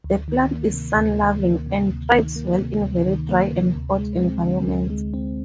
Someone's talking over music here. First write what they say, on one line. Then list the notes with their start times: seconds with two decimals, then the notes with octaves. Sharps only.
The plant is sun-loving, and thrives well in very dry and hot environments.
0.04 D2
0.28 D#3
0.51 A#3
0.74 C3
0.97 D2
1.21 D#3
1.43 A#3
1.66 C3
1.89 D2
2.13 D#3
2.36 A#3
2.60 C3
2.82 D2
3.06 D#3
3.29 A#3
3.51 C3
3.75 D2
3.98 G#3
4.21 C4
4.45 D3
4.67 D2
4.90 G#3
5.14 C4